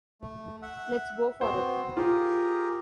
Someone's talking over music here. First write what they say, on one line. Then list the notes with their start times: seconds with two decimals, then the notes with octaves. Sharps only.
Let's go for it.
0.21 A3
0.62 E5 F#5
1.41 B3 C4 F#4 C5
1.97 F4 G4 G#4 A#4